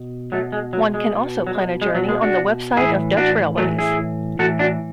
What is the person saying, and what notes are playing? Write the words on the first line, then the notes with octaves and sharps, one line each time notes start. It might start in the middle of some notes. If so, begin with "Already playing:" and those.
One can also plan a journey on the website of Dutch Railways.
Already playing: B2
B2 F#3 A3
G#3
F#3
G#3
B2
F#3
G#3
G#3
B2 F#3
G#3
D4 F#4
A2 E3 E4 G#4
D4 F#4
A2 E3 F#3 A3
E4 G#4
A2 E3 F#4 A4
D4 F#4